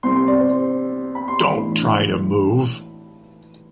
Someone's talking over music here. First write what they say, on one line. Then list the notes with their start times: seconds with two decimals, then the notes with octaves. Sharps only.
Don’t try to move.
0.03 C2 C3 G3 C4 C6
0.16 C6
0.28 D5
0.40 C5
1.15 B5
1.28 C6
1.40 B5
1.52 B1 A2 E3 A3 D4